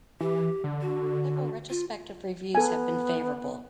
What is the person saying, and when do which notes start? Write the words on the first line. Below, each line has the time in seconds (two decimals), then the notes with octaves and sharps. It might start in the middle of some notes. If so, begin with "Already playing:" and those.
Several retrospective reviews have been favourable.
0.21 E3 G4
0.64 D3
0.81 F#4
1.69 F4
2.55 B3 A4 G#5